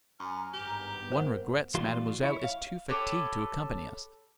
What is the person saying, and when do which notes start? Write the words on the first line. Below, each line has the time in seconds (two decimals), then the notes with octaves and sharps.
One regrets mademoiselle is too fatigued to accompany us.
0.20 F#2 G#5 A#5 F6
0.53 G#1 G2 B3 G4
1.12 A#4 C5 F#5
1.74 A2 E3 G3 F4 F#4 C6
2.23 E4 C#5
2.44 F5
2.89 G4 A4 B4 C#5